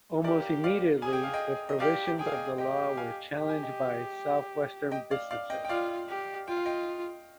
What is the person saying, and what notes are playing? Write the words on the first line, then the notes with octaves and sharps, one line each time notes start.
Almost immediately, the provisions of the law were challenged by Southwestern businesses.
G4 A#4 D5
D5 F5
G#4 G#5
G5
F5
D#5 G5
D#5
G4 D5 F5
G#4 G5
F5
D#5 G5
G4 D#5 G5
F5 G#5
G4 G5
G#5
D#5 G5
D#5 G5
D5 F5
D5 F5
D#5 G5
G5
F4 D5 F5
G4
F4 G5
F5
D#5 G5